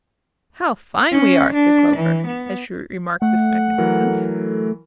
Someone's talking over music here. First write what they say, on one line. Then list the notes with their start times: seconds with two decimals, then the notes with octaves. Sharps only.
"How fine we are!" said Clover, as she remarked this magnificence.
1.11 C#4
1.54 D4
1.96 E3
2.27 B3
3.22 A3 F#5
3.78 E3 F#3 A#4